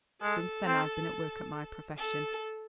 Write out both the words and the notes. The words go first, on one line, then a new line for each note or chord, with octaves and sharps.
Since then I've been at work at my profession.
G#3 A4
C4
A4